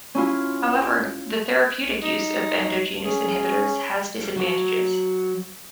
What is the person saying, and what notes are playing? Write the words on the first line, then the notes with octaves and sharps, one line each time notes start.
However, the therapeutic use of endogenous inhibitors has disadvantages.
C#4 E4 F4
D#4
C#4 G#4
F#3